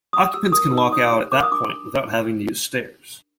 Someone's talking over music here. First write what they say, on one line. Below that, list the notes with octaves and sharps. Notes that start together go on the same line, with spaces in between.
Occupants can walk out at that point without having to use stairs.
C#5 D#6
G4 E6
A#4 D#6
D#4 E6
C#5 D#6
G4
A#4 D6
D#6
D4 D6